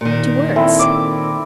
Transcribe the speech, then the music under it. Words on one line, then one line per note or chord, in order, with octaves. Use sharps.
"Two words?"
A#2 D#3
C4 E4 A4
D6